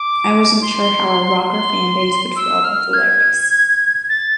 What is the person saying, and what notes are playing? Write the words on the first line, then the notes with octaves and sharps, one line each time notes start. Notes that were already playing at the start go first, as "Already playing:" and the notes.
I wasn't sure how our rocker fanbase would feel about the lyrics.
Already playing: D6
C6
C6
E6
F6
G#6
A6